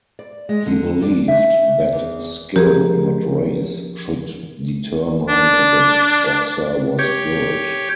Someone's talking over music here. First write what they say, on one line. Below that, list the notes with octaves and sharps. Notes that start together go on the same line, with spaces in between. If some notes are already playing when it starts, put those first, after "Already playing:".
He believed that skill, not race, should determine if a boxer was good.
D5
G#3
D3
D4
E5
E2
F3 C#4 G4 G#4 A#4
D4
G4 C#5